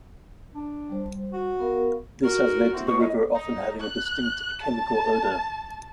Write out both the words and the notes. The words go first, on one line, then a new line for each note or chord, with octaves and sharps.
This has led to the river often having a distinct "chemical odour".
D4
G3 C5
F#4
B3 A#4 F5
F#4 A#4
C4 E4 F#4
B2 C#6
A2 D#5
D#4
F#6
A5